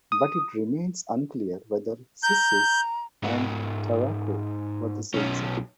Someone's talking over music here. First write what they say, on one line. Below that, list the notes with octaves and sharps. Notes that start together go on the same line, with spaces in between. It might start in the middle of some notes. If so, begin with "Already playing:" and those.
But it remains unclear whether "Cissis" and "Tarraco" were the same city.
D#6
A#5 G6
G#2 B3
B1 C#4